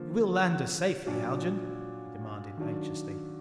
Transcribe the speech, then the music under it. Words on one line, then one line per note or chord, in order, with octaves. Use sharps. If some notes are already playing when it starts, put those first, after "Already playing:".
"You will land us safely, Haljan?" he demanded anxiously.
Already playing: D3 F3 A#3
A#2 F#3 D4
D#3 F#3 D4